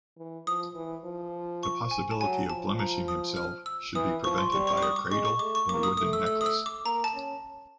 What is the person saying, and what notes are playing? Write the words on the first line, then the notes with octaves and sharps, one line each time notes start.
The possibility of blemishing himself should be prevented by a cradle or wooden necklace.
E3
F3 D#6
E3
F3
C#6
G#5
A5
F#3 G#5
F3 A5
A#5
D#6
F6
E6
E3 D#6
F3 C#6
C6
G3 C#6
C#6
D6
D#6
D6
G#3 C#6
C#6
A3 D6
C#6
A#3 D6
D#6
A3 D#6
E6
E6
D#6
E6
D6
A#3 A#5
A5
C#4